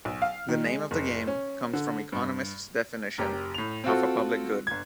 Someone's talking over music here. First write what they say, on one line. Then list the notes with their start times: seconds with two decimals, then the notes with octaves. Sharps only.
The name of the game comes from economist's definition of a "public good".
0.05 B1
0.22 F5
0.49 D#3
0.64 G#3
0.91 F#1
1.27 C#4
1.73 D3
2.12 G2
3.18 F#1 G4 A#5
3.54 A2 F7
3.84 C4 F4 F#4 A4
4.67 G1 G#6